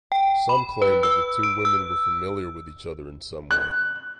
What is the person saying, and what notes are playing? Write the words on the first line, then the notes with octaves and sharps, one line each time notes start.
Some claim that the two women were familiar with each other in some way.
G5
B5
B4
E6
D7
E6
F#6